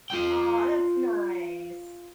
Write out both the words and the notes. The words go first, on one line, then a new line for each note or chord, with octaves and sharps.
Aw, that's nice.
F4 G5